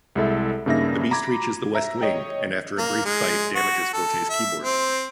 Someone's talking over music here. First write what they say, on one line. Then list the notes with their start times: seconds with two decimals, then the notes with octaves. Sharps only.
The Beast reaches the West Wing and after a brief fight, damages Forte's keyboard.
0.15 C2 G#3 E4 A4 E5
0.66 G2 C#3 A#3 D#4 E5 A#6
1.11 A#5 B5 D6 G#6
1.75 E5 A#5
2.01 C#5 D#5 G5
2.78 A#3
3.05 G#3
3.55 F#4
3.93 A4
4.30 E5
4.63 C4